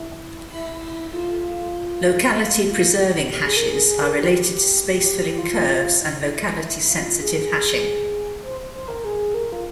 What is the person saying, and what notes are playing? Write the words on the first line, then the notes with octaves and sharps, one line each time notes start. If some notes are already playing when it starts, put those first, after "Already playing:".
Locality preserving hashes are related to space-filling curves and locality-sensitive hashing.
Already playing: E4
E4
F4
F4
G4
G#4
A#4
G#4
G#4
A#4
G4
G4
F4
E4
E4
E4
F4
G#4
C5
C5
A#4
G#4
A#4
F4